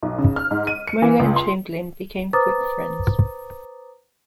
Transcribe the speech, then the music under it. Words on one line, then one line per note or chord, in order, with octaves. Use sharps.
Mohler and Chamberlin became quick friends.
B1
C#3
F6
G#2
D#7
C#7
E3
C#2
C6
B4 C5 A#5 D6 D#6 A6